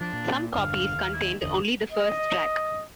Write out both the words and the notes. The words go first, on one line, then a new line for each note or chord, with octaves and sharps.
Some copies contained only the first track.
F3 D4
A#2
E1 G2 D3 F5
D#2
E4
G1 E2 D3 D#5
D#5